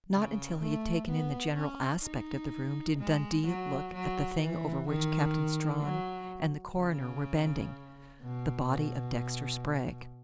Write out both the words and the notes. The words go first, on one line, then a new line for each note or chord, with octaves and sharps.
Not until he had taken in the general aspect of the room did Dundee look at the thing over which Captain Strawn and the coroner were bending--the body of Dexter Sprague.
C#3
A3
B3
C#4
D#4
G#3
F#3
F#3
E3
D#3
F#3
C#3
B2
B2